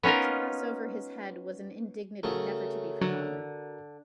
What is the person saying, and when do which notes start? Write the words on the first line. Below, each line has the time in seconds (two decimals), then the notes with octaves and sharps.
To pass over his head was an indignity never to be forgotten.
0.03 B3 C#4 D#4 F4 A#4
2.23 C#3 A3 F#4 A#4
3.01 D3 F#3